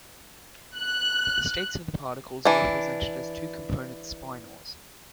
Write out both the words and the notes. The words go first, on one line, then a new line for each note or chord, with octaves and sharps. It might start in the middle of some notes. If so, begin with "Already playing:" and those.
The states of the particles are represented as two-component spinors.
F#6
E3 D4